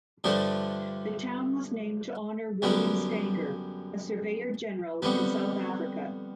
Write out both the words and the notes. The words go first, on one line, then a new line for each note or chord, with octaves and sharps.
The town was named to honour William Stanger, a surveyor-general in South Africa.
G2 D3 F3 A3 D4
F#2 D3 G3 B3
F2 D3 G3 B3